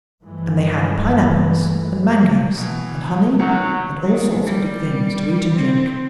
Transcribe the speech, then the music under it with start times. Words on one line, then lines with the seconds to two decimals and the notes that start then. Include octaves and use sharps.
And they had pineapples and mangoes and honey and all sorts of good things to eat and drink.
0.23 G2 E3 F3 G#3 A3
2.57 B2 E3
3.39 C2 D#3 F#3 F#4
4.04 D#3
4.46 G3
5.55 C4